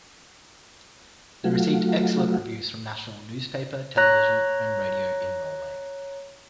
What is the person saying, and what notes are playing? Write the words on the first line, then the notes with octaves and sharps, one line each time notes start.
They received excellent reviews from national newspapers television and radio in Norway.
F#3 A3 F4 F#4
C#5 A#5 F#6 A#6